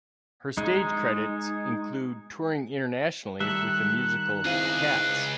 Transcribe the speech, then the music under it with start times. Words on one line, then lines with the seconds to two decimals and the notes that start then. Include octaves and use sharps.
Her stage credits include touring internationally with the musical "Cats".
0.57 G#3 D#4
3.40 D#3 G3 A4 E5 F#6
4.44 C#2 C4 E4 G#4 F5